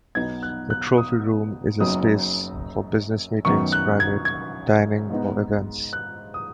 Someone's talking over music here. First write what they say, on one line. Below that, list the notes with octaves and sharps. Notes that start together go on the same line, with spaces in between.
The Trophy Room is a space for business meetings, private dining or events.
B1 B2 B3 D#4 G#6
F#6
F#6
D#6
F#1 F#2 F#3 B3 D#4 D#6
F#2 D#3 F#3 B3 C#6
F#6
G#6
G#6
G#2 G#3 B3 D#4
F#6
D#6